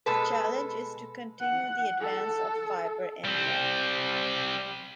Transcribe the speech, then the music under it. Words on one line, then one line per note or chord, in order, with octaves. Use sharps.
The challenge is to continue the advance of fibre inland.
B2 G#3 A4 B4
F#5
A4
G3 C4